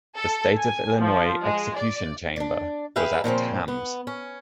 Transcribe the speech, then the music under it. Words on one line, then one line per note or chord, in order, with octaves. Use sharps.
The State of Illinois execution chamber was at Tamms.
A4
G#5
F3
G#3
D5
D4 D5
G4 G#4 B4 E5 F5
A#2 C#3 F3 C4
B3
C#4